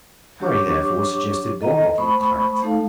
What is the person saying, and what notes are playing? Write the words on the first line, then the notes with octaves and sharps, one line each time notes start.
Harry therefore suggested one bottle of claret.
F#3 D4 G4 C#5 C#6 D6
A4 D#5 A#5
A3 C5 B5 C#6 D#6
A3 D#4 A4 F5